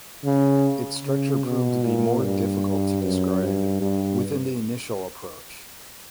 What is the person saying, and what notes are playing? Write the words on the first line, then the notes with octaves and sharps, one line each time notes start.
Its structure proved to be more difficult to describe within the initial approach.
C#3
C#3
B2
A#2
G2
F#2
G2
G2